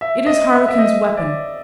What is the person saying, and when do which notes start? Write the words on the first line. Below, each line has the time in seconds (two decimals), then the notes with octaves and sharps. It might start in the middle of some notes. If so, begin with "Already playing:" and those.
It is Harlequin's weapon.
0.01 E5
0.26 D#5
0.53 E5
0.68 E5
0.78 D#5
1.17 D5